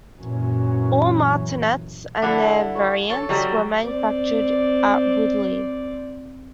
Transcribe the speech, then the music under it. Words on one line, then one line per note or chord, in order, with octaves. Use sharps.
All Martinets and their variants were manufactured at Woodley.
F#2 A#2 E3 F#3 C#4
D3 D4 E4
C#5
A4 C#5
F#3 G3
C4 D5